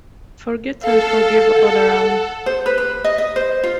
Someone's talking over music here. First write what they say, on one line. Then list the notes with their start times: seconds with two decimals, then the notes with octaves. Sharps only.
Forget and forgive all round!
0.82 A4 F5
1.56 F#5
2.46 C5
2.66 B4
2.78 B4
3.04 D#5
3.18 D#5
3.36 C5
3.63 F4